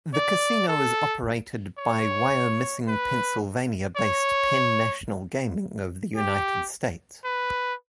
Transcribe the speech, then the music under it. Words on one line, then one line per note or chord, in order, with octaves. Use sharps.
The casino is operated by Wyomissing, Pennsylvania-based Penn National Gaming of the United States.
D5
A4
C#5
B4
C#5
G4
B4